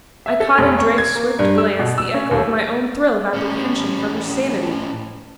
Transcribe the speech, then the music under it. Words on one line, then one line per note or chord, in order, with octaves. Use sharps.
I caught in Drake's swift glance the echo of my own thrill of apprehension for her sanity.
E5
A4
F1
C#6
G#6
A#3
G2
E6
B2
E6
C#4
D#2
A2 C#4